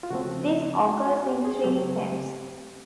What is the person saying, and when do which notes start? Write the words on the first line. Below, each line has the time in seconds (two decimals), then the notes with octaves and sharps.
This occurs in three steps.
0.03 F4
0.10 C#3 F3 A3 C4 F#4
0.87 F#4
1.06 F#4
1.25 G4
1.45 G#4
1.63 C#3 F#3 A3 C4 G4